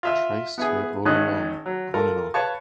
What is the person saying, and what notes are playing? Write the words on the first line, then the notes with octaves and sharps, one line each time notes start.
Traced her all along, on and off.
F4 E5 F6
B3 E4 G#4
G#1 G#2 D#3 C#4 D#5 F#6
F#3
F4 A4 A#4
B4 C#5 F5 A5 C#6